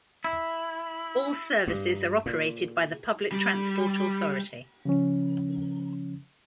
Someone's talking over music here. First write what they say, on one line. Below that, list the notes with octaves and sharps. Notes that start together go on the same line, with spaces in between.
All services are operated by the Public Transport Authority.
E4
G2
A#2
G3
C#3 F3 C#4